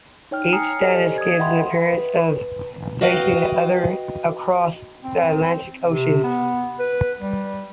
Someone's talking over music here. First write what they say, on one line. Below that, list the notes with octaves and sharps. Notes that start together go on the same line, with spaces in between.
Each statue gives the appearance of facing the other across the Atlantic Ocean.
D#4 C#5 G5 F6
G#5 A#5 D#6 F6 C7 C#7
G4 A4 C5 D5 D#5 G#5
D#6 G#6
D#5 E5 F#5 G5 B5 C6
B4
F#4 B4 D#5 F5 G5
C4
C3
B3
B4
G3